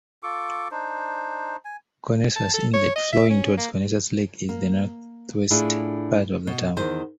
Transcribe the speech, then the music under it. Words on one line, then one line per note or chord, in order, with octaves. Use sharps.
Conesus Inlet, flowing toward Conesus Lake, is in the northwest part of the town.
F4 A4 C#6 D6
D4 D#4 C5
G#5
A5
A4
C#5
D#5
E5
C#4
A#3
A#3
A2 D4 E4 F4 G#4
B2
E2 D#3 C5